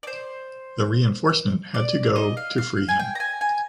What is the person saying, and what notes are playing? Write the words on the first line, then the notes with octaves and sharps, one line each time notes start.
The reinforcement had to go to free him.
D5
C5
D5
D#5
F5
F5
G#5
G5
A#5
G#5
G#5